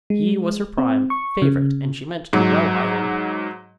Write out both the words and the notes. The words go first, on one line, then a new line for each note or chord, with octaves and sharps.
He was her prime, favorite and she meant to do well by him.
G#3
C4
C#6
C#3
G#2 F#3